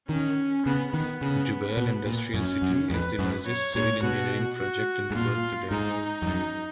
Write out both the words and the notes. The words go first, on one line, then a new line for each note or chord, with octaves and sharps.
Jubail Industrial City is the largest civil engineering project in the world today.
D#3 C#4
C#3 B3
D#3 B3
C#3
B2
A#2
F#2 C#4
F#2
F2 B4
F#2
C#5
A#2 C#5
B2 F#4
F#4
G#2
A#2 F4
G#2 D#4
F2
F#2